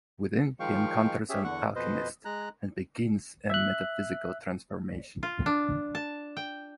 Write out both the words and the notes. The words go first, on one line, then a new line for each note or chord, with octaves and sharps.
Within he encounters an Alchemist, and begins a metaphysical transformation.
D#3 F3 G#3 F5 G5 C#6
C#4 G4 G#4 E5
E2 D3 F#5 C#6
F2 B2 B4 C5 D#5
G#3 A#5 F#6
E5 F#6
F4
D4
A5
G5